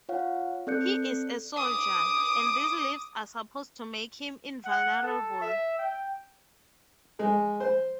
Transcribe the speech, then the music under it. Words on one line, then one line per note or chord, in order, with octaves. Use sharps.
He is a soldier, and these leaves are supposed to make him invulnerable.
F4 C#5 F5 F#5
C4 A4 D5 F#6 G6 C#7
D6 D#6
F#5
A4
E5
G5
G#3
C5